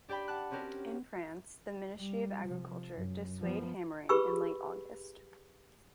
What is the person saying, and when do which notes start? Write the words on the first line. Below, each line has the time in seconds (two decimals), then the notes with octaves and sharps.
In France, the ministry of agriculture dissuade hammering in late august.
0.08 D4 G4 D5 G5 B5
0.28 F#5 A5 F#6
0.51 C4 C#4 F#4 G4 A#4
1.98 G3
2.46 C3 F3
2.94 F#2
3.40 F3 B3
4.09 G4 G#4 B4 B5 C#6 E6